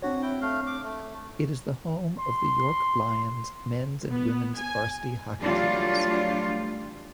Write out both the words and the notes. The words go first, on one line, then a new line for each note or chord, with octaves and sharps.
It is the home of the York Lions men's and women's varsity hockey teams.
C4 D4 F#4 C#5
E4 G5
A3 F5
D6
A3
C6
B3
G#5
E3 F#3 G3 A3 D4 F4